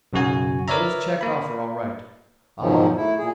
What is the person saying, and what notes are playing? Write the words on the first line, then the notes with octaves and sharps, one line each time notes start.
"Those checked off are all right."
B1 F#2 C#3 F#4 G#5
A#4 B4 C#5 D5 E5 A#5
A#3 B5
E2 G#2 B2 D#3 F3 F#3
A3 E4
A#2 G#4